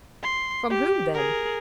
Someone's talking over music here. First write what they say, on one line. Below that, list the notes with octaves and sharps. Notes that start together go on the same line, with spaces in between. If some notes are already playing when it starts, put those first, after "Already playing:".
"From whom, then?"
C6
G4
G#4 A#4